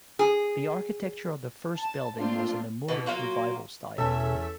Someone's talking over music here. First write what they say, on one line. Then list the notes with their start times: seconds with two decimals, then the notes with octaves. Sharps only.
The architecture of the first building was in the Moorish Revival style.
0.19 G#4
1.77 A5
2.18 A3 A#3 C4 D4 F4
2.88 B2 E3 B3
3.06 F#3 A#3 F4 F#4
3.98 E2 B2 A3 C#4 A4 E5